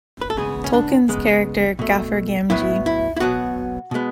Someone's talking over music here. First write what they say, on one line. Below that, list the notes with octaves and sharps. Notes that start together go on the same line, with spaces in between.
Tolkien's character Gaffer Gamgee.
B4
A4
C#3 G#3 B3 G#4
C#4
D4
C#3 G#3 B3
B2 A3
A2 F#3 B3 E4
E4
E4
B2 F#3 B3 F#4
B2 G#3 B3